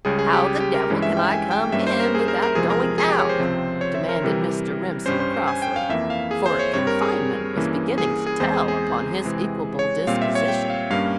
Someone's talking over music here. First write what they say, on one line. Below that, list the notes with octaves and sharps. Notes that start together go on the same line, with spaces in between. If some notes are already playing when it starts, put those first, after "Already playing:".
"How the devil can I come in without going out?" demanded Mr. Remsen crossly, for confinement was beginning to tell upon his equable disposition.
C#2 C#3 G3 C#4 G#4
G#4
G4
G#4
G4
A#4
G2 E3 G#3 C#4
E5
G5
G#5
G5
G2 G3 A#3 C#4 E5
C5
A#4
G#4
A#4
A#4
E2 C3 F3 G#3 C4 G#4
A#4
G#4
G#4
G4
C#5
C5
C#2 C3 F3 C4
C#5
E5
A#4
C3 E3 G3
G2 G3 C#4 C5
C5
C5
G#5
G5
F5
F2 E3 A#3 E5
F5
G#4
C5
C#5
G2 G3 C4 C#5
A#4
G#4
G2 E3 A#3 C#4
G#4
G#4
E2 E3 G#3 C4 C5
G#4
G#4
C3 E3 G#3 C4
C#5
A#2 G3 C4 F5
E5
C#5
G5
F5
G2 G3 A#3 C#4 F5